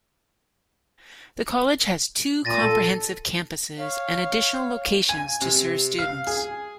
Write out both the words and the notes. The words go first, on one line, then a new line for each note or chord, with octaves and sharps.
The college has two comprehensive campuses and additional locations to serve students.
A#2 A6 A#6 D#7
A4
C#5 F5
G#5
C3
F5
G#4